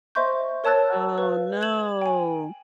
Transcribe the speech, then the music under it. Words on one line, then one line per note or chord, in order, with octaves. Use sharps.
Oh, no.
C5 D#5 E5 C6 C#6 G6
A#4 C#5 A5 E6 F#6 A6
B4 F5
G#6 E7 F#7
G5 G#5